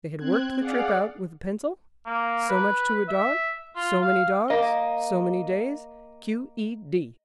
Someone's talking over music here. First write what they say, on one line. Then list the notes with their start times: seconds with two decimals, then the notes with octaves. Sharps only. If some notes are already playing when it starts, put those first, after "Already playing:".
They had worked the trip out with a pencil, so much to a dog, so many dogs, so many days, Q.E.D.
0.17 C4 F#6 G#6
0.58 G#4 D5 F5 F#5
2.06 A#3
2.49 B4
3.09 E5
3.76 F4
4.02 F5
4.50 A#3 D#5